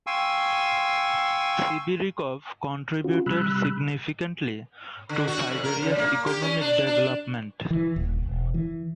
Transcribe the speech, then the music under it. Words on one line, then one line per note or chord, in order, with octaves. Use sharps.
Sibiryakov contributed significantly to Siberia's economic development.
F5 G5 G#5 C6 C#6 E6
C#4 F4 F#4
C3 G3 B5 E6 F#6
D3
F#4
F2
A#4
C#3
A#3
G4
C#4
D4
D4
E3
D#1
E1
E3